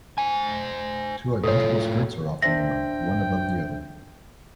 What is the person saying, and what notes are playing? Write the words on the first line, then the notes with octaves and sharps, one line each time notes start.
Two identical skirts are often worn, one above the other.
C5 G#5
A2 F4 A4 C#5
D4 C5 E5 G5 A#6